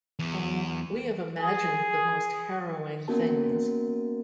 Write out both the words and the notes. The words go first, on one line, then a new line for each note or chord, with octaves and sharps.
Oh, we have imagined the most harrowing things.
E2
G#4
A#3 B3 C#4 F#4 A#4 A5